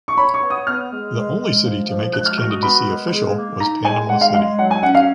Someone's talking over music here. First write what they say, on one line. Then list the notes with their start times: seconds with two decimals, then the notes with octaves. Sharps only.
The only city to make its candidacy official was Panama City.
0.08 C#6
0.17 C#5 B5
0.34 C#6
0.43 B3
0.50 D#6
0.67 B3 F6
0.91 G#3
1.15 G#3
1.40 G#3
1.64 F3
1.89 F3
2.13 G#3 F#6
2.26 F6
2.38 F#4 F6
2.50 D#6
2.63 B3 B5
2.87 G#3
3.12 G#4
3.36 A#3
3.60 D#4 A#5
3.85 G#3 G#5
4.09 G#3 F#5
4.21 F5
4.34 G#3 F5
4.58 F#3 F#5
4.71 G#5
4.83 C#4 F#5
4.95 F5